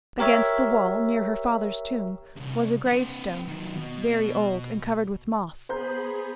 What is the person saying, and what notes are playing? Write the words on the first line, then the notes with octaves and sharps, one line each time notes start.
Against the wall, near her father's tomb, was a gravestone, very old and covered with moss.
G4 A#4 C#5 E5
C2 G2
C4 B4
D#3 F#3
B2
B3 G#4 C5 A#5 B5 G6